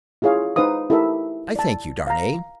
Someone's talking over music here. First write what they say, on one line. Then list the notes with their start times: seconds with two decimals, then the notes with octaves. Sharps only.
I thank you, Darnay.
0.22 E4 F4 G#4 C#5 F5
0.56 D#4 B4 C5 F5 D#6
0.90 E4 G4 A4 A#4 E5
1.56 D5 A5
2.07 F5 A#5